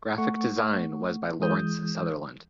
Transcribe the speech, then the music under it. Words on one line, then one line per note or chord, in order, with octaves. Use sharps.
Graphic design was by Laurence Sutherland.
A3 F#5 C#6
E3 G#3 D#6 G6